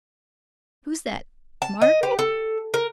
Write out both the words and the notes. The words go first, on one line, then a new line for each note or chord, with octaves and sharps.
Who's that,--Margaret?
A5
D#5
G4
A4
A#4